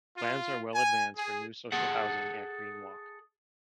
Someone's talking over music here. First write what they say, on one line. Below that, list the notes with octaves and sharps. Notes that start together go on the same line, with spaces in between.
Plans are well advanced for new social housing at Green Walk.
F4
G#5
G#4
G#4 A4 F#5